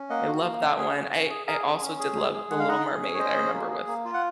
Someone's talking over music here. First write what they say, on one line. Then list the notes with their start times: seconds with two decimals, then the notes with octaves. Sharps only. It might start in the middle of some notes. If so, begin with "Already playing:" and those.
I love that one. I I also did love The Little Mermaid, I remember with
Already playing: C#4
0.10 A#3 D#5 F#5
0.27 F#4
0.45 A#3
0.61 C#4
0.78 G#4
0.96 C#4
1.13 C#4
1.30 G#4
1.47 G#4 A#4
1.65 C#4
1.82 C#4
1.99 G#4
2.16 G#3
2.33 G#4
2.50 G#3 F#5
2.59 F5
2.68 D#4 D#5 F#5
2.85 G#4
3.02 C#4
3.15 C#5
3.19 C#4 C5 D#5
3.36 G#4
3.53 A#3
3.71 G#4
3.87 A#3
4.05 F4
4.14 F#5